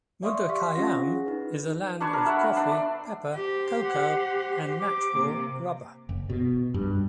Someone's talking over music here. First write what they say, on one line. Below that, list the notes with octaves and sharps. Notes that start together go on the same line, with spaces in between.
Mundakayam is a land of coffee, pepper, cocoa and natural rubber.
D5 E5 F5 C6 C#6 D#6
G4 F5 C6 C#6 B6
C#4 F4 F#5 A#6
G#4
D#4 B4
D4 B4 C#5 A5
A#4
E5 F#5 B5
B4
D4 D5
D5
G4 C5
F#5
D6
C3 A#3
F#1
B2
G2